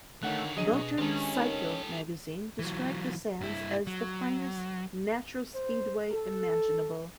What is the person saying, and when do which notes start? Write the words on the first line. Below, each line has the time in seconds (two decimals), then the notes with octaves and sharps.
"Motor Cycle" magazine described the sands as "the finest natural speedway imaginable".
0.23 D3 D#3 A3 C#5 F#5 F#6
0.57 F#3 D4 G#4 D#5 D#7
0.72 B2
0.98 D#3 G#3 C#4 D4 G4 A4
1.36 D#4 A#4
2.59 E3 F#3
3.41 G2 E4
3.87 F#3
5.54 C5
6.10 A4